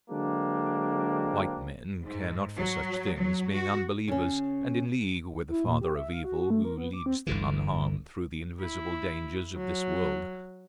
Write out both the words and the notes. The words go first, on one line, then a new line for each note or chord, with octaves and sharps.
White men care not for such things, being unbelievers and in league with the Father of Evil, who leads them unharmed through the invisible dangers of this world.
D3 F#3 G#3 A#3 C4 D4
G#2
F#3
F#3
F#4
C#3 C#4
E4
A#2
G4
E5
F5
F#4
F#4
A3
A#4
B3
D6
C4
G1 D3 E3
E4
F#3